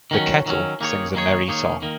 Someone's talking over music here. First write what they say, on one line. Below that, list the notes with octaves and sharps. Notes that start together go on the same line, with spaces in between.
The kettle sings a merry song.
D#3 F#3 C#4
D#3 F#3 C#4
D#3 A#3 D#4 G#4 C#5
D#3 A#3 D#4 G#4 C#5
D#3 A#3 D#4 G#4 C#5
D#3 A#3